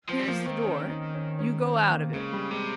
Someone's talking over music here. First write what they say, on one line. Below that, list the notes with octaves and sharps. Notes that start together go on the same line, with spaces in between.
Here's the door, you go out of it.
F3 C4
G3
F3 A#3
D#3 C4
C#4
D#4
C#4
C#4
C4
A#3
C#3 G#3
G3
C3 G#3